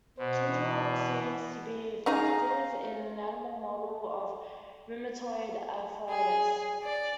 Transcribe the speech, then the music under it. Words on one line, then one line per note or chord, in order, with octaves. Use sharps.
Gingerol seems to be effective in an animal model of rheumatoid arthritis.
B2 C5
E3
C#4 D#4 G#4 F5 A#5
G#4
D5